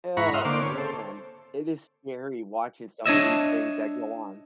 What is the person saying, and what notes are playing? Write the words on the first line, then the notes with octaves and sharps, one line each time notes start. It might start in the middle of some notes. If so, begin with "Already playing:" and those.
Oh, man! It is scary watching some of these things that go on.
G#2 E4 F#5 A#5 B5 C#6
D#5 E5 F#5 C6 F6
D3 A#3 C5 D6
C4 C#5
A4 C5
D4 C#5 D#5 E5